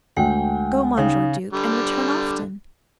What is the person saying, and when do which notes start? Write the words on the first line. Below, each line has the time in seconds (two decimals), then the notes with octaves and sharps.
Go, Monsieur Duke, and return often.
0.17 D2 G#3 F#5 G5
0.98 C#3 D#4
1.53 D3 G3